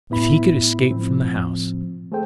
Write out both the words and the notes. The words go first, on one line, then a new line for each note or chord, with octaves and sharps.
If he could escape from the house!
A2 B3 E4 B5
A2 F3 C4
A3 G#4 A4 C5 G5